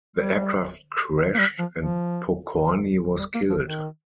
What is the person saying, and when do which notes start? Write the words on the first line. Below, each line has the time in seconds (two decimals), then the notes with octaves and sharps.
The aircraft crashed, and Pokorni was killed.
0.18 G3
1.34 A#3
1.38 G3
1.59 F3
1.79 F3
3.19 G3
3.34 A#3
3.50 F3
3.64 D#3